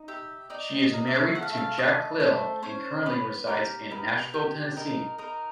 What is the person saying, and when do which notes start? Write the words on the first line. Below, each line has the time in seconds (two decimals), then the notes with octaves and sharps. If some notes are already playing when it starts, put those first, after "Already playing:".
She is married to Jack Lyle and currently resides in Nashville, Tennessee.
Already playing: D#4
0.08 G4 E5
0.50 D#4 D5
0.79 D#5
0.93 A#3
1.07 E5
1.35 A3 F#5
1.42 F5
1.50 E5
1.58 F5
1.78 A3 D#5
2.20 A3 C5
2.63 C#4 C5
3.06 B3 B4
3.48 G4 A#4
3.90 B3 A#4
4.34 G4
4.76 D#4 A#4
5.18 D#4 A#4